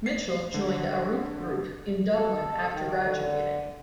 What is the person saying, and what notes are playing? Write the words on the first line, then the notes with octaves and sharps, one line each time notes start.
Mitchell joined Arup Group in Dublin after graduating.
C7
D3
A4
D#3
D3